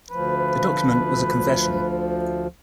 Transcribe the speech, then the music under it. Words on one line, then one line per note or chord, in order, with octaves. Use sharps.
The document was a confession.
D2 F3 B4